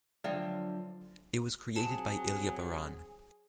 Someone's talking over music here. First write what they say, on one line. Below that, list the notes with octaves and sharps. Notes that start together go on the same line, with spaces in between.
It was created by Ilya Baran.
D3 F3 F#3 D5 E5 G5
F#3 C4 G#4 A5